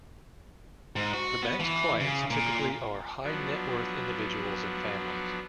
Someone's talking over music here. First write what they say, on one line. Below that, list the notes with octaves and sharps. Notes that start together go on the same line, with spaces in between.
The bank's clients typically are high-net-worth individuals and families.
G#2
F#4
B3
E3
C#3
A#2
F3 F#3 B3 D4